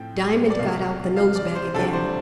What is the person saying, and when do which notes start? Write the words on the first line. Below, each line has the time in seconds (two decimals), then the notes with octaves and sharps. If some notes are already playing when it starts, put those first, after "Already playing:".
Diamond got out the nose-bag again.
Already playing: A2 F3 C4 G5
0.50 D5
0.58 C2 C3 F3 F5
1.16 F5
1.36 D5
1.55 C5
1.74 D2 C3 G3 D4 A4
1.93 C5